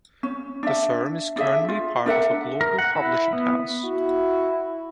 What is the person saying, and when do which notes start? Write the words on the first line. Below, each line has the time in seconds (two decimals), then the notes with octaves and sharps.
The firm is currently part of a global publishing house.
0.23 C#4
0.63 D4 E5
1.36 D4 G#4 E5
1.69 F4
2.06 D4 A#4 E5 F#5
2.61 A#4
2.79 F#5
2.95 E4
3.33 B3
3.85 E4 F#4